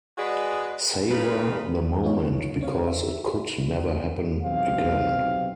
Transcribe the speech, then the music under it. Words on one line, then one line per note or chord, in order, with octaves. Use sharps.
Savor the moment, because it could never happen again.
G#3 F#4 G#4 B4 D5 D#5
C#3 D#4 F4 A#4 B4
B3 D#4 F4 C#5
C4 C#5 F5
E5
B1 C3 C4 F5